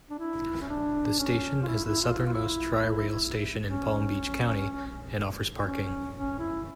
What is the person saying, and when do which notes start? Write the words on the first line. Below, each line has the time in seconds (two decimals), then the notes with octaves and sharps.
The station is the southernmost Tri-Rail station in Palm Beach County, and offers parking.
0.10 D4
0.19 E4
0.61 C#4
0.69 D4
1.18 C#4
1.63 F4
1.67 E4
1.84 E4
2.02 F4
2.18 E4
2.26 F4
2.33 E4
3.66 C#4
5.64 C#4
6.15 C#4
6.39 E4